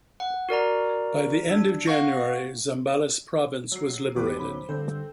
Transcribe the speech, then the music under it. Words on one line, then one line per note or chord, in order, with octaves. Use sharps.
By the end of January, Zambales province was liberated.
F#5
F#4 A#4 D5 A#5
D4
F5 F#5 C#6 A#6
F#3 C7
E2 F#3 B3 G4 B4 D6
D1 B1 C#4 C5 B5
G2 D3 C4 A4 G6